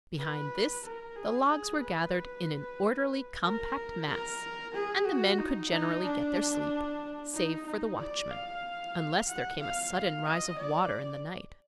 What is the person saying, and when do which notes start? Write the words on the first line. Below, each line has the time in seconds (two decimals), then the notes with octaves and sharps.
Behind this the logs were gathered in an orderly, compact mass and the men could generally get their sleep, save for the watchman; unless there came a sudden rise of water in the night.
0.18 B4
0.84 A#4
1.16 G#4
1.49 G#4
1.82 B4
3.44 A#4
4.09 A#4
4.74 G#4
5.06 F#4
5.39 D#4
5.71 D#4
6.04 D4
7.34 D#4
7.66 D#4
7.98 D5
8.31 F5
9.28 F#5
9.62 F5
9.93 F5
10.26 D#5
10.59 D5